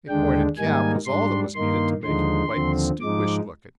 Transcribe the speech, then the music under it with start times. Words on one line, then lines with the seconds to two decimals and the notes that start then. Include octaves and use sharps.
A pointed cap was all that was needed to make him quite distinguished looking.
0.08 D#2 D3 G#3 D4 G5
0.57 G#2 D#3 G3 A#3 D#4 G#5
1.06 G#2 G3 D4 C6
1.55 G2 D#3 A#3 D#4 C6
2.03 D#2 D3 F3 G#3 D#4 C6
2.52 D#2 D3 F3 C4
3.00 G#2 F3 G#3 D#4 D6